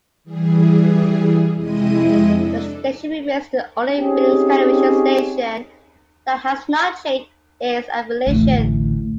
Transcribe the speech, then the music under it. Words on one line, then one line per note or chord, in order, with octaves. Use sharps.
The station remains the only Billings television station that has not changed its affiliation.
E3 G3 G#4
F2 C3 G#3 E4 D#5 D#6
D4 A4
C4 C#4 D#4 G4 G#4 C#5
A1 D2